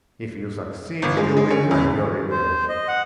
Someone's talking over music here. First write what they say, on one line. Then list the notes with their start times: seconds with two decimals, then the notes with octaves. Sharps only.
If you succeed, you will have your revenge.
1.02 G1
1.17 G#3
1.37 G#3
1.51 C#4
1.71 E2
2.31 C5
2.68 D#5
2.88 F#5